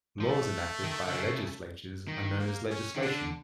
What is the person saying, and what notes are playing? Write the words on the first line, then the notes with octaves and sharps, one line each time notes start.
Laws enacted by legislatures are known as legislation.
F3 A3
D#3
D3
C#3
D#3
A#3
C#4
D#3
D3 D4